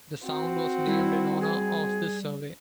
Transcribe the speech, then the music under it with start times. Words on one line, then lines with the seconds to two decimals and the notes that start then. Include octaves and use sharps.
The sound was named in honour of this survey.
0.25 C4 F#4
0.86 G3 E4
1.40 G#4